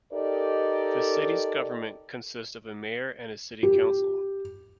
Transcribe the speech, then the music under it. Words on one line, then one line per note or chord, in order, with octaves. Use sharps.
The city's government consists of a mayor and a city council.
D#4 G4 A4 A#4 D5 D#5
G4